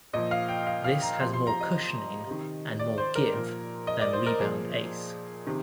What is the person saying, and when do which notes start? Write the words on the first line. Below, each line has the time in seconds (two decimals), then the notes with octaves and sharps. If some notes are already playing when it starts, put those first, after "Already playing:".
This has more cushioning and more "give" than Rebound Ace.
0.13 A#2 F3 D#5
0.31 F5
0.49 G5
0.67 F5
0.84 F5
1.02 A#5
1.20 C3 F3 C6
1.33 C6
1.47 A#5
1.60 D#5
2.26 C3 D#3
2.79 D5
2.98 C5
3.15 A#4
3.33 A#2 F3
3.87 D#5
4.01 D5
4.13 C5
4.26 A#4
4.40 A#2 F3 G#4
5.47 C3 D#3